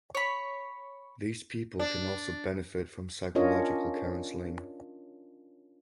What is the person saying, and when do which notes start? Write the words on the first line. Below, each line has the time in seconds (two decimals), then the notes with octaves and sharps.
These people can also benefit from psychological counseling.
0.15 C#5 B5
1.79 D4
3.35 C#4 D4 F4 A#4 C#5 D#5